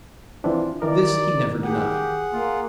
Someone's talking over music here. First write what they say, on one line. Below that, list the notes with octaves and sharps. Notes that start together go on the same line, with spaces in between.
This he never denied.
E3 C4 D4 F4
D#3 E3 D#4 A#4 D5
G4 G#4 F#5
A#3 F4